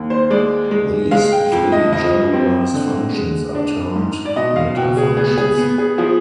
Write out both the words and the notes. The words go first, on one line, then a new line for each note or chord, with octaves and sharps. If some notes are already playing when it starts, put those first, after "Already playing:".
These three generalised functions are termed "metafunctions".
Already playing: D#2
C5
G#3 D5
G#3
G#3 F5
G5
F2 G5
D#5
F3 D#5
C4
D3
G#3
D4
G#2
D5
B2 D#5
F5
B2 G5
G#4
B3 G#4
G#4
B3
G#4
F3 G#4